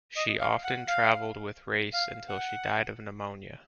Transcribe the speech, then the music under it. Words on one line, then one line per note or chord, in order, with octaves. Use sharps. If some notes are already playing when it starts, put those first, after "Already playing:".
She often traveled with Race until she died of pneumonia.
D#5
F5
F#5
F5
F5
F#5